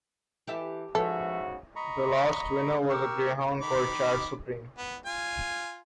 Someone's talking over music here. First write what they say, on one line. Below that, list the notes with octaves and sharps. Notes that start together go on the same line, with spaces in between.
The last winner was a greyhound called Chad Supreme.
E3 G4 A4 E5
G#2 C#3 F3 F#4 A4 B4 C#5 E5
D#5 A#5 B5 C#6
G4 A#4 C#6 E6
D#3 B5 D6
B3
F4 G#5